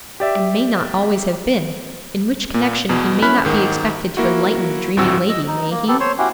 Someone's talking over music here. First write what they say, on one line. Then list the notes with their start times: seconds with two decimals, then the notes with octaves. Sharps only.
'And may not always have been; in which connection he may not be expected to enlighten the dreaming lady, may he?'
0.20 G4 D5 E5
2.54 A#2
2.89 E2 B2
3.22 C#4 E4 B5 F6 F#6 B6
3.45 G#2 D#3
4.17 A#3 E4 F#4
4.97 G#1 D2 A2 C4 F#4 E6
5.29 D#5 E6
5.47 D#4
5.71 A#3
5.88 B3 G4 A4
6.00 C5 C#5
6.18 C#4 E4 F#4 G4